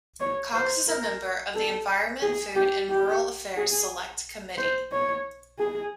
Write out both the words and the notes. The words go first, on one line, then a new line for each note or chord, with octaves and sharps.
Cox is a member of the Environment, Food and Rural Affairs Select Committee.
C#5
C5
A#4
A4
G#4
G4
G4
G#4
C5
C#5
G#4